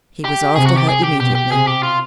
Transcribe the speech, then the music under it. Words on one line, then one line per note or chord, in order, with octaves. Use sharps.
He was after her immediately.
G4
C3 G#4
F#4
G4
G#4
G4
B2 G4
G4
C3 G#4
G4
F4